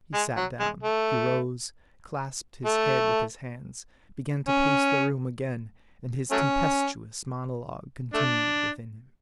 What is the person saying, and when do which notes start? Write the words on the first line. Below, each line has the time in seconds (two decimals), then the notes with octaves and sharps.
He sat down, he rose, clasped his head with his hands, began to pace the room again, and his tempestuous monologue continued within him.
0.14 G#3
0.37 F#3
0.60 G#3
0.83 A3
2.66 A3
4.48 C#4
6.31 F#3 A3 C#4
8.14 A3 D4